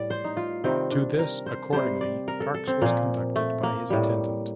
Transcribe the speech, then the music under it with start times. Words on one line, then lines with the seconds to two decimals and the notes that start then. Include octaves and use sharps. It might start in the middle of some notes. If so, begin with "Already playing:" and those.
To this accordingly Parks was conducted by his attendant.
Already playing: A2 G3 D5
0.10 C5
0.24 D#4
0.37 F4
0.64 C3 D#3 G3 C4
0.92 D4
1.19 A#4
1.46 C5
1.73 C3 G3 C5
2.01 D5
2.28 A#4
2.40 A4
2.54 A4
2.67 C4
2.81 A#2 F3 A#3
3.36 A3
3.63 A#3
3.90 A2 G3